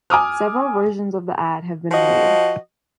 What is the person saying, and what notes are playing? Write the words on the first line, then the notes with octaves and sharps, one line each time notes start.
Several versions of the ad have been made.
G#5 D6 D#6 F6
F3 F#4 D#5